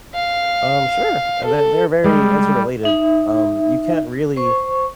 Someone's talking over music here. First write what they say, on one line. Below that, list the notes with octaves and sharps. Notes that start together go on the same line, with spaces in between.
Um, sure, they're they're very interrelated, um, you can't really
F5
A4
G3 G#3
D#4 E5
C5 C#6